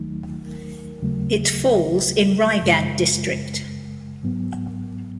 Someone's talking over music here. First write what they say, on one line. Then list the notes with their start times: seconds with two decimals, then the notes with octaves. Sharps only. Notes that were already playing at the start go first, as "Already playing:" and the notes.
It falls in Raigad district.
Already playing: D#2 D#3 F#3 A3 D#4
1.02 D#2 C#3 F#3 A3
2.62 F#2 C#3 G#3
4.23 G#2 F#3 B3